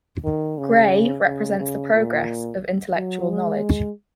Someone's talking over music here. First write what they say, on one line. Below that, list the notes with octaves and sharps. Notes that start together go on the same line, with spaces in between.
Gray represents the progress of intellectual knowledge.
D#3
C#3
C#3
C#3
A#2
F#3
G#3